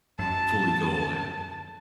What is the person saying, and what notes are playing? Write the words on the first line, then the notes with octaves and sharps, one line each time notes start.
fully go away.
F#2 F#3 A5